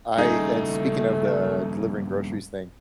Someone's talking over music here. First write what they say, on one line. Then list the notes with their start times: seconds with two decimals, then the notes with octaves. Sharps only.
I and speaking of the delivering groceries thing,
0.18 G2 C#3 A3 D#4 G#4